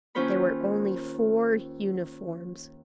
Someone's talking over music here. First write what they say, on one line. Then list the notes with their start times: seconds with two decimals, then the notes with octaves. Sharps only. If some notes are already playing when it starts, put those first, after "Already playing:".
There were only four uniforms.
0.15 D#2 C#4 F4 C5 C#5 B5